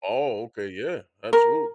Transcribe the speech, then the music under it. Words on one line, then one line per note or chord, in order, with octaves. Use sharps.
Oh, okay yeah, absolutely,
A#4